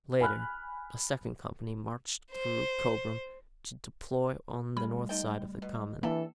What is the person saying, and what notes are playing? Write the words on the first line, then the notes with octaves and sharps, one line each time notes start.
Later a second company marched through Chobham to deploy on the north side of the common.
G#5 B5 F6 F#6
C5
C#3 G3 A3 B5
D#4 A4 G5
B2
E3 A#3 D4 G4 A4